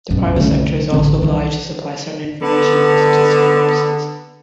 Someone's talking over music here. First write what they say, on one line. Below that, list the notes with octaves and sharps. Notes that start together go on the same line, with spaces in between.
The private sector is also obliged to supply certain information for statistical purposes.
B1 F#2
C2 D3 A3 C#4
A1 D3 C4
C2 D#3 E3
D3 B3